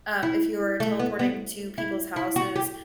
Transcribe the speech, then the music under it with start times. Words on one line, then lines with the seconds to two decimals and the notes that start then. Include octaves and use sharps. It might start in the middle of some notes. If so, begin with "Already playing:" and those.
um, if you're teleporting to people's houses
0.23 E4
0.80 A3
0.99 B3
1.19 B3
1.78 E4
2.16 E4
2.36 F#4
2.56 G4